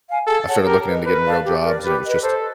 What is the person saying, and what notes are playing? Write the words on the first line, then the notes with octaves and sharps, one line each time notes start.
I've started looking into getting real jobs, and it was just,
F5 G#5
G#4 A4
C#5 F#5 A5
G4 A#4
B4 D#5
A#4 B4
D5 F5 A5
G4
A#4 D5
G4 B4
B4 D#5
A4 C5